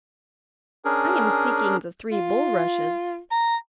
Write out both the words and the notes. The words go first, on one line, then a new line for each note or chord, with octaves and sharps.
'I am seeking the three bulrushes.
C#4 D4 G#4 A#4
F4
A#5